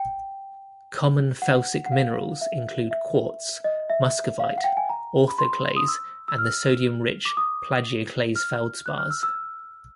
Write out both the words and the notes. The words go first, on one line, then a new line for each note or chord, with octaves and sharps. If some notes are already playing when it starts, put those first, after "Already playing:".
Common felsic minerals include quartz, muscovite, orthoclase, and the sodium-rich plagioclase feldspars.
Already playing: G5
F#5
F#5
F5
E5
E5
D#5
E5
F5
F#5
G5
G#5
A#5
B5
C6
D#6
E6
E6
F6
D6
D#6
F6
F#6
F6
E6
E6